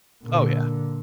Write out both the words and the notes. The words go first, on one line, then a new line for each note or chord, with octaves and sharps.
Oh, yeah.
A#2 D3